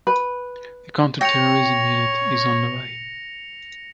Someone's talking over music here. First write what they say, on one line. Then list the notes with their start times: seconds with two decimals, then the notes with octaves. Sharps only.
The counter-terrorism unit is on the way.
0.07 B4
1.21 C#5 G5 A#6 C#7 F7